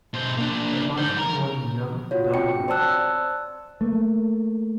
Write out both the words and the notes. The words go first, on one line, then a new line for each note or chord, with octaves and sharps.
My partner was the young dark one.
B2 C5
A#3 D4
D#4 C5
A#4 A#5
F4 F#4 C#5
C4 G5 C#7
C5 D5 A5 E6 F#6
A3 A#3